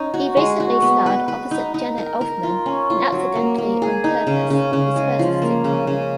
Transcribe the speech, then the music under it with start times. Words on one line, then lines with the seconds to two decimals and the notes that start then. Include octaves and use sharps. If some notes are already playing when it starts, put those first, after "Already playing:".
He recently starred opposite Jenna Elfman in "Accidentally on Purpose", his first sitcom.
Already playing: C#4 D#4
0.14 F#4
0.37 G#3
0.60 F#4
0.82 B3
1.06 B4
1.28 B4
1.51 D#4
1.74 D#4
1.98 A#4
2.21 A#4
2.43 F4
2.66 C#4
2.90 F4
3.12 F#3
3.35 A#3
3.58 A#3
3.82 G#4
4.04 D#4
4.27 C#3
4.50 C#3
4.73 C#3
4.96 G#3
5.19 F3
5.42 A#3
5.64 C#3
5.87 C#3